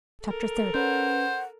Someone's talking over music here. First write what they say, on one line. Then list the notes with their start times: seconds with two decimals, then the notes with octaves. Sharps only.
Chapter XXX.
0.23 A4 A#4
0.75 C#4 B4 C5 F#5